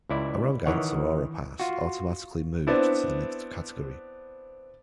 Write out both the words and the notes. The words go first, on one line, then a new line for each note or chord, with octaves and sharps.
A wrong answer or a pass automatically moved to the next category.
C#2 E4 D5
D#3 E3 C#5 F#5
F4 F#4
B3 C4 D4 E4